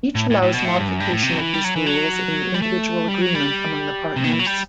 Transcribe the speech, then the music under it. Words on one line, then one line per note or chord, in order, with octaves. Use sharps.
Each allows modification of these rules in the individual agreement among the partners.
A2
A2
A2
B2
A2
G2
F#2
G2
A2
C3
F#3
E3
G3
F#3
E3
F#3
G3
A3
G3
F#3
G3
C3
D#3
E3
F#3
G3